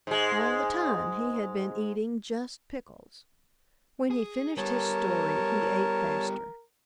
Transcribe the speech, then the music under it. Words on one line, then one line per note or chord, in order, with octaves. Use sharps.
All the time he had been eating just pickles; when he finished his story he ate faster.
G#2 G#3
G#4
G3 B3 A#4 C#5 A5